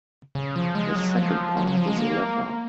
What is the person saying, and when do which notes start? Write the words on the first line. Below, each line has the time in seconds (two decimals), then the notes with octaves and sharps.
The second part is a letter.
0.35 C#3
0.56 F3
0.75 G#3
0.96 F#3
1.16 F3
1.57 F#3
1.67 F#3
1.77 F3
1.87 G#3
1.98 A#3